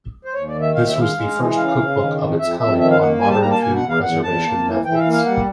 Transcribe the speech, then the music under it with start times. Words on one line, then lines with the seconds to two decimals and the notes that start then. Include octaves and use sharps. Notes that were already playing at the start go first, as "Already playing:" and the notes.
This was the first cookbook of its kind on modern food preservation methods.
0.25 C5
0.34 D#2 C#5
0.47 D5
0.54 D#3
0.61 E5
0.75 D#2 F5
0.87 E5
0.96 G#3 F5
1.16 G#3
1.36 E3
1.57 C#3 F5
1.78 C#3
1.98 D#3
2.18 F2
2.39 F2 E5
2.59 F2 E5
2.80 D#3 E5
2.90 F5
3.00 A#3 F#5
3.21 G3 G#5
3.31 A5
3.41 A#3 A#5
3.51 A5
3.62 B2 G#5
3.75 F#5
3.83 E2
3.89 F5
4.03 E2 F#5
4.23 E2 A5
4.44 A#3
4.64 E3
4.85 E3 G5
4.94 E5
4.99 F5
5.05 A#3
5.12 F5
5.26 G3 F#5